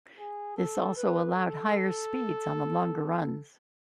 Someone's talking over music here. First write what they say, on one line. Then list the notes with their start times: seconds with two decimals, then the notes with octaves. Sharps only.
This also allowed higher speeds on the longer runs.
0.19 G#4
0.57 A4
0.96 B4
1.35 A4